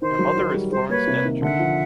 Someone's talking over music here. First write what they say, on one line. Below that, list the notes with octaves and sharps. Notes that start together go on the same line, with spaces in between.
Their mother is Florence Deniger.
D#3 C5
F#3
D#3
G3
G3 C5
A#3 B4 C#5
C3
D#3
D3 E5 F#5
F3